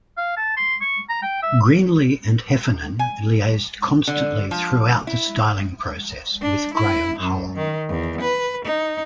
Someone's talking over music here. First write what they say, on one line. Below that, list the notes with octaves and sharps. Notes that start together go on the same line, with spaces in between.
Greenley and Heffernan liaised constantly throughout the styling process with Graham Hull.
F5
A5
C6
C#6
A#5
G5
E5
G#5
D3
F3
E4
D4
E4
F#2
D#3
E2
B4
D#4